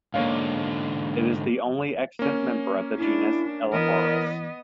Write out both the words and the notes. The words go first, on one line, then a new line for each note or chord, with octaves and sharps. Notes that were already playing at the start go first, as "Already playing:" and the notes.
It is the only extant member of the genus "Elaphurus".
G#2 D3 A#3 C#5 F5
A#3 C#4
D4 E4
E3 B3 A#4 D#5